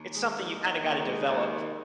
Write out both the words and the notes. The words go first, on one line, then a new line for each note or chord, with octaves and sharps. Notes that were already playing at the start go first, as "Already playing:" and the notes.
it's something you kinda gotta develop.
Already playing: D#2
G#3
D#2
D#3
D#2
G#3
D#2
D#3